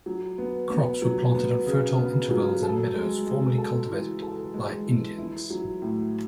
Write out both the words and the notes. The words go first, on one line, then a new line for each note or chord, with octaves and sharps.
Crops were planted on fertile intervales and meadows formerly cultivated by Indians.
F#3
B3
B3
F#3
B3
C#3
B3
F#3
A4
G#3
G#3
A4
E3
A4
G#3
E3
E4
F#3
A2